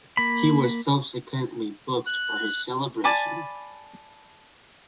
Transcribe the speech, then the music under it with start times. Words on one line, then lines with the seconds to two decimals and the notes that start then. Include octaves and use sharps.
He was subsequently booked for his celebration.
0.17 A#3 B5
2.06 F#6
3.04 D5 G#5 A5 B5